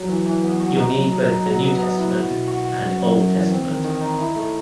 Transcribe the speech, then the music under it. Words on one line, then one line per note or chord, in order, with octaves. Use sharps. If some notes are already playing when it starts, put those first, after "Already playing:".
You’ll need both the New Testament and Old Testament.
Already playing: F#3
E3
E3
B3
F#4
D#4
F#3
F#3
D#4
F#3
B3
B3
E4
F#4
B2
F#4
F#4
F#2
F#2
F#2
E3
C4
D#3
D#3
D#4
E4
A3